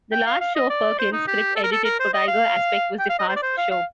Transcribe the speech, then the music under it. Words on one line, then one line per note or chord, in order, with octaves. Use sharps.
The last show Perkins script edited for Tiger Aspect was The Fast Show.
G5
F5
F5
D#5
D5
C5
D#4
G4
A4
A#4
A4
A#4
C5
D#5
F5
G5
F5
D#5
C5
D5
C5
F5
F5